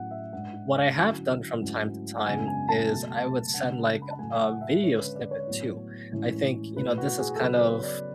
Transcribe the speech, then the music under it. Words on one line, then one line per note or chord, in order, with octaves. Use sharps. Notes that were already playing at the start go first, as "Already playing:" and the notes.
What I have done from time to time is I would send, like, a video snippet too. I think, you know, this is kind of
Already playing: A2 F#3 C#4 E4 F#5
E5
G#2 G#3 D4 F#5
D3 F#3 C#4 E4
G#2 F#3 A3 C#4 E4
F#5
F#2 C#3 G#3 B3 D4 G#5
G#5
A5
B2 F#3 A3
C#3 G#3 D4 F#5
B5
A5
A2 F#3 A3 G#5
F#5
E5
D3 G#3 C#4 C#5
B4
D5
C#5
A2 F#3 B3 E4
A2 E3 G#3 C#4 E4
B2 A3 E4 B4
F#4
G#4
A4
C#3 F#3 B3 B4
C#5
D5